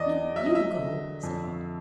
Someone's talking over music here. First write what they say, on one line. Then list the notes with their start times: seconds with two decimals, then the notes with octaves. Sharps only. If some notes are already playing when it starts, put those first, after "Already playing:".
"No, you go," said Robin.
Already playing: E2 E3 D5 D#5
0.35 F#3 E5
0.46 D#5
0.55 E5
0.79 D3
1.23 F2